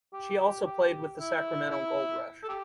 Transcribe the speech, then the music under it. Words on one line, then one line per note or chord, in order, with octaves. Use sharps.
She also played with the Sacramento Gold Rush.
G4
G4
E4
E4
A4
G4